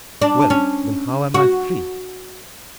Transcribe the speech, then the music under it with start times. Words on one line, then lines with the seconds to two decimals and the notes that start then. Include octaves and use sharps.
"Well, then, how am I free?"
0.22 D4
0.50 C#4
1.34 F#4